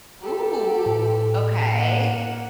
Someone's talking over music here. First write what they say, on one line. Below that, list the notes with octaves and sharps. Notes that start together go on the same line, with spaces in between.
Ooh, okay.
G4 A4
A2
A#3 F#5